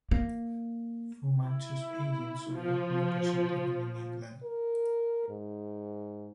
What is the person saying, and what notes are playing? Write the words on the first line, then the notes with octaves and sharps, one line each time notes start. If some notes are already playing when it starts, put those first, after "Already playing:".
Fu Manchu's agents were omnipresent even in England.
A#3
E4
F3
A#4
G#2